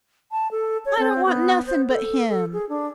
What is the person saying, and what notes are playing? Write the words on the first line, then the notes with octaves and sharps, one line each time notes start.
"I don't want nothing but him."
A5
A4
C#5
C4
B3
C5
A4
A4
G#4
D4